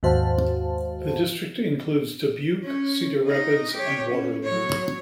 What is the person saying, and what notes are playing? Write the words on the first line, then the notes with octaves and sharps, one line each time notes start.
The district includes Dubuque, Cedar Rapids, and Waterloo.
D#2 G#2 F#4 C5 F5 A5
C#4
D#4 D#5
G4 C#5
C#4
F#3 C#5